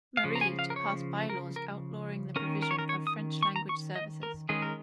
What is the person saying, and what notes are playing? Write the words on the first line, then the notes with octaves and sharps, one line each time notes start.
Marie to pass bylaws outlawing the provision of French language services.
F5
C#3 F3
A#5
G#5
F5
A#4
C#5
A#4
A#4
D#3 C#4 A#4
A#4
C#5
A#4
C#5
D#6
C#6
A#5
C#6
D#5
A#4
D#3 G#3 C#4 G#4
A#4